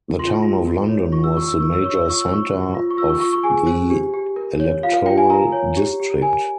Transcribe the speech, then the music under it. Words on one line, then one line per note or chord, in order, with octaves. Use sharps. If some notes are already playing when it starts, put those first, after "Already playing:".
The town of London was the major centre of the electoral district.
F4 C6
F4
A#4
C#5
F4 C#6
E6
F4 C#6
E6
A#4 C#6
E6
C#5 C#6
E6
F4 C#6
E6
C5 C#6
C5
F4
C#6
F4 E6
C#6
F4 C#6
C#6
G#4 G#5
C5
G4
G4
A#4
C#5
F4 F5
F5
F4 G5
G#5
A#4 A#5
C#5
G4
G4
A#4 G#5